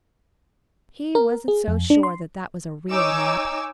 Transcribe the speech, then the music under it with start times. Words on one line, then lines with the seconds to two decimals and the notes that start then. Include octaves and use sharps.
He wasn't so sure that that was a real nap.
1.15 A#4
1.48 G#4
1.68 F2
1.90 D4
2.03 C6
2.90 D#4 C#5 G#5 D6 E6